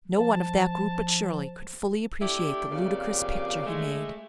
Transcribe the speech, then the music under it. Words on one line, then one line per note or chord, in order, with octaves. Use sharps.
No one of that group but Shirley could fully appreciate the ludicrous picture he made.
F3 A5
A3 D4 E4 G4
F2 C#3 A#3 G4 D5
G#3 A3